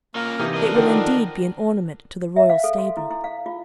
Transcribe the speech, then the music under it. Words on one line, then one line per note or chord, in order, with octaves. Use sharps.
It will indeed be an ornament to the royal stable.
A#3 C#4 F4 A#4
C3 E3 D#4
D4 A#4 D#5
D3 D#3 F3
E5
F5
A4
C6
E4
E4
F5
F4